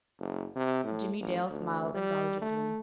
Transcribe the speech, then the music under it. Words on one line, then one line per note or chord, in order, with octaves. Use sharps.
Jimmie Dale smiled indulgently.
F#1
C3
A2
A1
D2
G3
A3